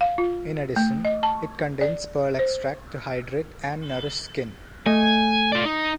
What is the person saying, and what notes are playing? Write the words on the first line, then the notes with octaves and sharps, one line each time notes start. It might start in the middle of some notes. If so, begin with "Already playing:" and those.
In addition, it contains pearl extract to hydrate and nourish skin.
F5
F4
A3
D#5
A5
D5
C5
A3 D#5 G#5
F4 D5
D#4